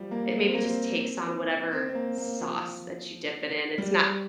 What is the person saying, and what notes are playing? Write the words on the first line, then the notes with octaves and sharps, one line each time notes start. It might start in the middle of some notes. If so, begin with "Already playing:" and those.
It maybe just takes on whatever sauce that you dip it in. It's not
Already playing: F3 G3
A#3
C4
A#3
C4
C4
C4
A#3
A#3
F3
G3